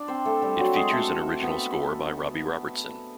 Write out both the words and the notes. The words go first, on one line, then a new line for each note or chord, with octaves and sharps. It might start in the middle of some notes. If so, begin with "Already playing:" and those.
It features an original score by Robbie Robertson.
Already playing: D4 D5
C4 C5
A3 A4
G3 G4
F#3 F#4
G#3 G#4
A3 A4
B3 B4